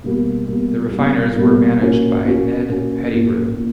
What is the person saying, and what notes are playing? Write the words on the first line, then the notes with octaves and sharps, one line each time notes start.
The Refiners were managed by Ned Pettigrew.
B2 G3 A#3
B2 G3 A#3
B2 G3 A#3
B2 G3 A#3
A#2 A#3 C#4 F#4
A#2 A#3 C#4 F#4
A#2 A#3 C#4 F#4
A#2 A#3 C#4 F#4
A#2